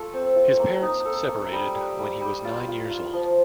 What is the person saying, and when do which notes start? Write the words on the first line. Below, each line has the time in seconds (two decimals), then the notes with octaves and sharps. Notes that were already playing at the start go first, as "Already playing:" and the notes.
His parents separated when he was nine years old.
Already playing: A3 F4 A4
0.13 C4
0.36 F4
0.59 A#3
0.82 D#4
1.05 A4
1.28 A#3
1.52 G3
1.75 G3
1.98 G3
2.21 G3
2.45 F4
2.68 F4
2.90 F4
3.13 F3